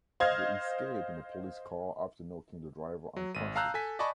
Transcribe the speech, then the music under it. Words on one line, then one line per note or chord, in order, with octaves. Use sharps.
They escape in a police car after knocking the driver unconscious.
C5 D#5 F5 F6 G#6
F#3
G#1 D#7
F5 A5 A#5 E6 F#6 G6
A4 G#5 B6
D5 D#5 G#5 A5 B5 C#6